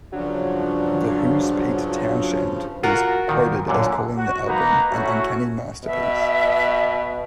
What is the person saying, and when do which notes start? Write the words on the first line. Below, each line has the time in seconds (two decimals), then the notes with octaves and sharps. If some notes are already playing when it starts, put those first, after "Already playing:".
The Who's Pete Townshend was quoted as calling the album "an uncanny masterpiece".
0.12 G2 C#3 F3 F#3 D4
2.83 F4 F#4 A#4
3.29 A#2 D#3
3.68 F#2 A#2 D3
4.16 F#4
4.47 A#3 D#4 B4 F#5 A#5
4.90 A3 C#4 E4 F#4
5.84 B2 E5